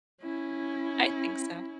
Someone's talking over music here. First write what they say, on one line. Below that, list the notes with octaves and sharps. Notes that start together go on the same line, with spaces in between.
I think so.
C#4 E4